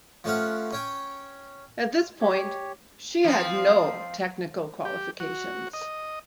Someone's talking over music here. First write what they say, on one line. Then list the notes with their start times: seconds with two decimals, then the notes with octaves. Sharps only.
At this point she had no technical qualifications.
0.24 F3 A3 C#4 F5 F#5
0.72 C#4 C#5 G5
2.21 G4 C#5
3.24 F3 C4
4.85 G4
5.20 F#4
5.73 D#5